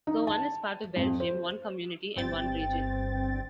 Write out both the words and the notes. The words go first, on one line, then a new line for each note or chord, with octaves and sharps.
So one is part of Belgium, one Community, and one Region.
D#4
A5
F2
C5
G1 G2 C4 G5 A6